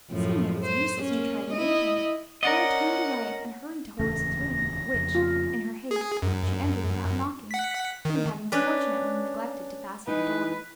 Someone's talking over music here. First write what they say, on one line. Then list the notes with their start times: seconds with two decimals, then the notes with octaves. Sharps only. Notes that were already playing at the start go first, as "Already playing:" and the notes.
Seeing it was useless to try to move him, Lora turned away and hurried to Horace's room, which, in her haste, she entered without knocking, he having fortunately neglected to fasten the door.
0.11 F#2 A2 F3
0.64 C5
1.02 A#3 C#4
1.53 E4 D#5
2.43 C#4 A#4 D5 D#5 F#5
3.99 D1 E2 C#3 A3 A#6
4.94 F2 C#3
5.15 F4
5.91 G#4
6.22 F#2
7.51 F#5 B6
8.05 D#3
8.52 C#4 D4 B4
10.07 E3 D#4 B4